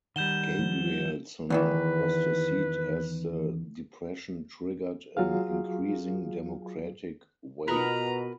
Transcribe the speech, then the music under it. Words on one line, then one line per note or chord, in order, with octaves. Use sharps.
Gabrielson lost his seat as the Depression triggered an increasing Democratic wave.
D#3 G3 F#5 G6 E7 G7
F3
E2 D#3 E3 B4
F#3 F4 F#4 G#4 F5
B2 F4 A#4 B4 A#5 B5 D#6